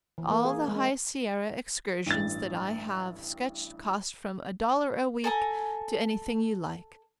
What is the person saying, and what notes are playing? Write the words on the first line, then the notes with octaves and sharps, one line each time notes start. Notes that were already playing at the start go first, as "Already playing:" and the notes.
All the High Sierra excursions that I have sketched cost from a dollar a week to anything you like.
E3
A#3
G#4
G#3
A1 G2 A6
A4 G#5 A#5